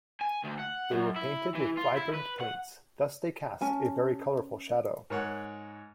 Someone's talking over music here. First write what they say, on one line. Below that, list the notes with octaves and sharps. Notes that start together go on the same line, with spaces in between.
They were painted with vibrant paints, thus they cast a very colorful shadow.
G#5
D2
F#5
F#2
E4
E3
F4
E4
B4
F#5
C#4 G#5 A5
G#2 A#4 C#5 F#5